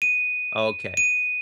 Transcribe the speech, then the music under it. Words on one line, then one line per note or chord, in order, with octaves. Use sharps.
oh okay.
D#7
D#7